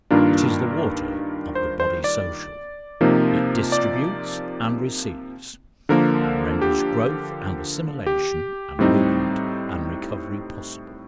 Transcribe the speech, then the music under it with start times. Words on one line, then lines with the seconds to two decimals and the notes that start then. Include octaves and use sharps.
It is the water of the body social, it distributes and receives, and renders growth and assimilation and movement and recovery possible.
0.11 G2 D#3 A#3 D4 F4 A#4
1.55 C5
1.80 C5
2.04 D5
3.01 C3 F3 A#3 D#4
3.72 D5
5.89 D3 F3 A#3 A#4
6.62 G4
8.06 G4
8.79 A2 G3 C4 D#4